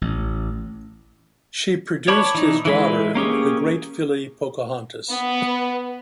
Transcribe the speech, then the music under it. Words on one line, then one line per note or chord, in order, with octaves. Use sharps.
She produced his daughter, the great filly Pocahontas.
A1
C#5 D5 A5 B5 C#6
E3 D#4
E3 G#3 B4
A#3 C#4 G4 G#4
B3